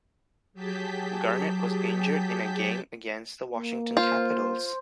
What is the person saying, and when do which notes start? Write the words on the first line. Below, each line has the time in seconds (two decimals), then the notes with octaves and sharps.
Garnett was injured in a game against the Washington Capitals.
0.53 F#3 G4 G#4 A5 G6 B6
3.53 A#3
3.97 F4 C5